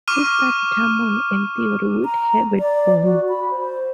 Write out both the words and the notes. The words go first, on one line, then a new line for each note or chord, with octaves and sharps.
He studied harmony and theory with Herbert Bourne.
C#6 D6 F6 D#7
A#5
D5
F#4
B5
C5